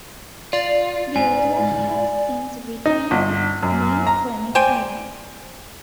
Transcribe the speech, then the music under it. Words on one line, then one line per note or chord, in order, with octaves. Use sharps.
The area has since retained the name Fleming Island.
F4 D5
G#2 G#5
D#4
G1
F#2
A#5
C5 D5 G5 G#5